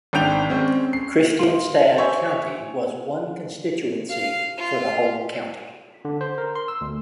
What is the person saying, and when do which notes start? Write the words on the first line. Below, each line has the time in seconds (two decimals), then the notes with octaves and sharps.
Kristianstad County was one constituency for the whole county.
0.13 G#1 D4 D5 G5 G6 F7
0.49 G#3 C4 C#4
0.93 C7
1.39 F5 C6
1.97 C5 C#5 E5 G#5
4.09 F5
4.58 F4
6.05 D3
6.21 C5
6.38 A#4
6.55 C6
6.68 E6
6.81 D2